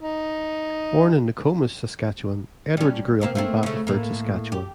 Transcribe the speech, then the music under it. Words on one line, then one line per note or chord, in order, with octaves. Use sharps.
Born in Nokomis, Saskatchewan, Edwards grew up in Battleford, Saskatchewan.
D#4
G3 C#4
C3 A#3 C4
A3 A#3 C4
C#3 A3
A2 A#3
G4